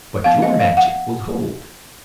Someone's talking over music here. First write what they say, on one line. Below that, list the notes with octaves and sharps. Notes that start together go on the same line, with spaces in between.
But your magic will hold.
F3 B3 F5
D#5
F5
F#5